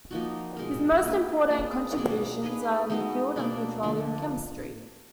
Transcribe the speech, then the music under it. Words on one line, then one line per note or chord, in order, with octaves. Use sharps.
His most important contributions are in the field of petroleum chemistry.
F3 A#3 D#4 F#4
B2 G#3 D#4 A#4
A#3 D#4 F#4 B4
A#3 F4 G#4 B4
B2 A#3 D4 G#4
A#3 D#4 G#4 B4
G#3 B3 D#4 F#4
B2 A#3 D4
D3 F3 A#3 D4